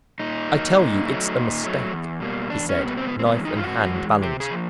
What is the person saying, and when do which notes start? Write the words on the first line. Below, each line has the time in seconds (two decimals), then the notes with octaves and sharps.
"I tell you, it's a mistake," he said, knife and hand balanced.
0.20 A#2 D#4
0.48 F#3 A#3
0.77 A#2
1.05 F#3 A3
1.35 A#2
1.64 F#3 A3
1.92 E2
2.20 B2 G3 A#3
2.50 E2 D4
2.69 C#4
2.78 B2 G3 A#3
2.88 B3
2.97 C4
3.07 G#2 B3
3.19 C4
3.26 B3
3.36 E3 G#3
3.45 D#4
3.57 F4
3.64 G#2 F#4
3.93 E3 G#3
4.22 C3 G4
4.40 G#4
4.51 F3 A#3